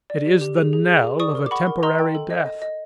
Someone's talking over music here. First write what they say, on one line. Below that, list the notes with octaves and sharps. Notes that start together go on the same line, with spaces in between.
It is the knell of a temporary death.
D5
G4
G4
G#4
G#4
G#4
G#4
D5 C#6 D#6
A#4
D6
F#5 B5 C#6
A#4
D#5 A#5 C6
G5
A4
D#5
D#5
D#5